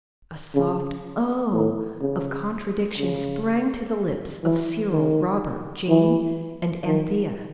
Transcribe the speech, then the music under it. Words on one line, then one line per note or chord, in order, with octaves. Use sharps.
A soft 'Oh!' of contradiction sprang to the lips of Cyril, Robert, Jane, and Anthea.
C#3
A2
C#3
C#3
E3
D#3
E3
D#3